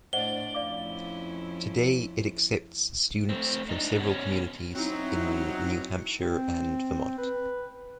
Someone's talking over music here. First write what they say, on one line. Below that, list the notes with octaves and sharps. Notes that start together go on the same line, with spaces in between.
Today it accepts students from several communities in New Hampshire and Vermont.
A2 D4 C5 D5 D#5 F#5 G7
F2 C#4 E4 D5 F5 D6
A3 C4
D4 D#4
B2 C#4
F#3 C4 D#4 E4
C4
B4